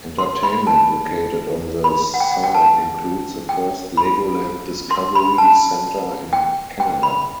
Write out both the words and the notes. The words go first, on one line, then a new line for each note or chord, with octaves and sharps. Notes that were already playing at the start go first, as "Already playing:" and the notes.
Entertainment located on the site includes the first Legoland Discovery Centre in Canada.
C6
B5
A5
B5
F#5
G5
F#5
G5
A5
G5
B5
C6
B5
A5
G5
G5
B5